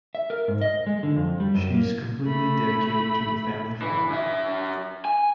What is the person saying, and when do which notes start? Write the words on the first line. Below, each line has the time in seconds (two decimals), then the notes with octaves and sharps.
She is completely dedicated to the family farm.
0.15 E5
0.30 A#4
0.48 G#2
0.61 D#5
0.87 G#3
1.03 D3
1.16 F2
1.40 G3
1.55 F#2
1.74 A#3
2.24 A3 B5
3.82 E3
4.09 F#2 E5
5.05 G#5